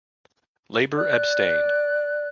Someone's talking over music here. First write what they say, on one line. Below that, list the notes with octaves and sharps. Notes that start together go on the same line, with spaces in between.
Labour abstained.
D5 F#6